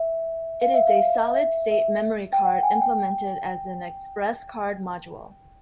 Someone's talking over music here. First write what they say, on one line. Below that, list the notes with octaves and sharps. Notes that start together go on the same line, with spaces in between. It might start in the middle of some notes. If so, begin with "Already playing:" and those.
It is a solid-state memory card implemented as an ExpressCard module.
Already playing: E5
F5
E5
F5
E5
E5
G5
F#5
G#5
G5